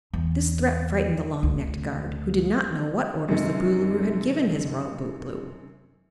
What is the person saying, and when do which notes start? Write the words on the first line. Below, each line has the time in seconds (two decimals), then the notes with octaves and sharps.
This threat frightened the long-necked guard, who did not know what orders the Boolooroo had given his Royal Bootblue.
0.13 E2
1.43 D2
3.28 F#2 C3 D#3 G#3